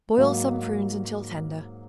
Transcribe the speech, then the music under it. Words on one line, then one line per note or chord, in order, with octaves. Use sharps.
Boil some prunes until tender.
G#2 F#3 A#3